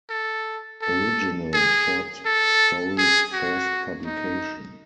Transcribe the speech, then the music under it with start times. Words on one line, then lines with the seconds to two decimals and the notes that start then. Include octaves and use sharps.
Original short stories first publication.
0.10 A4
0.82 A4
1.54 G#4
2.25 A4
2.98 G#4
3.33 F#4
4.05 D#4